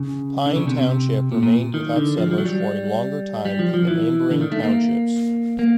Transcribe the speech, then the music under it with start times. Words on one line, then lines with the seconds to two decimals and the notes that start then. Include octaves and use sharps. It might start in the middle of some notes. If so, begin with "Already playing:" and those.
Pine Township remained without settlers for a longer time than the neighboring townships.
Already playing: C#3
0.46 D3
0.56 C#3
0.67 C3
0.77 C3
1.32 A#2
1.43 A#2
1.74 D#3
1.96 D3
2.18 F3
2.31 F3
2.38 F#3
2.45 G3
3.45 G3
3.59 F3
3.74 F3
3.88 E3
4.31 D3
4.41 D#3
4.52 A3
4.63 A#3
5.59 A#3